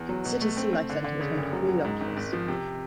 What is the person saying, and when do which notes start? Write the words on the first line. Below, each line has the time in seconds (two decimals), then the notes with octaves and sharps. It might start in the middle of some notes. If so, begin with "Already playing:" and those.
The city's Sea Life Centre was home to Paul the Octopus.
Already playing: E2
0.09 F#3
0.25 B2
0.42 A3
0.57 C4
0.73 C4
0.90 D3
1.04 D3
1.21 C#3
1.37 F#1
1.53 F#3
1.69 F#3
1.85 G#2
2.01 G#1
2.17 G#1
2.33 F3
2.48 C3